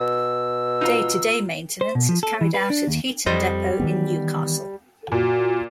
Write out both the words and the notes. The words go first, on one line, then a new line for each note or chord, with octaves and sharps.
Day-to-day maintenance is carried out at Heaton depot, in Newcastle.
B2 E6
D#4 F4 A#5
C5
B2
F3
A4
E3
B4
D4
D#2
F2 G3 C5 D#5
D#3 E3 B3
A#2 F#4